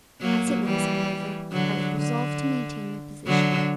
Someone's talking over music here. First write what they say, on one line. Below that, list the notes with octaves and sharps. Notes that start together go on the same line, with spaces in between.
As it was, however, I was resolved to maintain my position.
F#3 A#3
E3 G3
D3 F#3
D3
D3 F#3